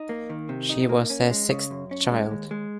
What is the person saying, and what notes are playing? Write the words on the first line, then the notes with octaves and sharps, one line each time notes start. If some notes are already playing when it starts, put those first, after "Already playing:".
She was their sixth child.
Already playing: D#4
A#3
D#3
C3
D#4
A#3
C#4
G#3
C#3
F#2
C#4
G#3
D#2
G#3